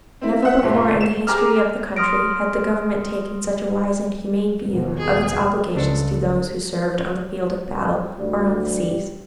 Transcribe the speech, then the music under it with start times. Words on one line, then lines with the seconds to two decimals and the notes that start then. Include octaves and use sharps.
Never before in the history of the country had the government taken such a wise and humane view of its obligations to those who served on the field of battle or on the seas.
0.21 C4 E4
0.42 E5 F#5
0.62 G1 A#2 A3
1.01 E7
1.27 G4 G#4 A#5 D6 F6
1.96 C6 D#6 F6 A#6 D7
4.68 D#2 B2 B3
4.98 G#4
5.75 C#2 D4 A4
8.18 D2 G3